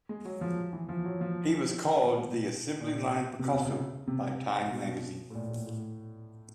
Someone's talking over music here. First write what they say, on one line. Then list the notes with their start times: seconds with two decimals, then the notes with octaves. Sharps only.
He was called the "Assembly-Line Picasso" by "Time" magazine.
0.09 G#3
0.25 F#3
0.41 F3
0.73 E3
0.89 F3
1.05 F#3
1.21 F3
1.84 D#3
2.01 A#2
2.16 B2
2.80 A#2
3.39 C3
3.44 B2
3.54 C3
3.65 C#3
4.07 C3
4.71 B2
5.30 A2
5.35 A#2
5.51 A2
5.67 A2